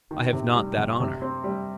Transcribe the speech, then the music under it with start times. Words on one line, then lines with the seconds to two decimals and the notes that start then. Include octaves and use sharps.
"I have not that honor."
0.11 D#3
0.33 C3
0.55 G3
0.77 C3
1.00 C3
1.22 C4
1.44 G3